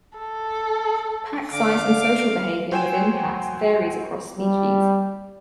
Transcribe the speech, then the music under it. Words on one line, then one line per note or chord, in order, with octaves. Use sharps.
Pack size and social behaviour within packs varies across species.
A4
D3 F5 D6
F#3 C5 G5 G#5 E7
G3